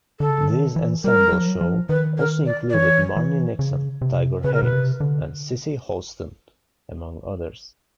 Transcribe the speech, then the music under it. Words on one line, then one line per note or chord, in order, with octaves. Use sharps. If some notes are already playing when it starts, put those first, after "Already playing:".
This ensemble show also included Marni Nixon, Tiger Haynes, and Cissy Houston among others.
D3 A4
C#3
D3
D#3
E3
G3 A#4
F#3
F3
F#3
F3
D#3 B4
A#4
D5
D5
E3 C#5
E3
C#3
C3
C#3 B4
A#4
B2 B4
C3
D3